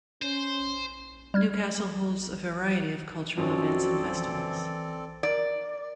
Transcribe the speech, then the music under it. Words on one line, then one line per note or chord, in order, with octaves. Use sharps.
Newcastle holds a variety of cultural events and festivals.
C#4 C5
G3 F6 G#6
F#2 F3 C4 F#4 A4 D5
E3
A#4 D5